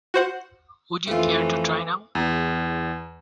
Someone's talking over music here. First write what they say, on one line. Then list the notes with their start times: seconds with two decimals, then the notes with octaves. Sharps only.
Would you care to try now?
0.14 F#4 C5 F#5
1.08 F2 E3 A3 F4
2.15 E2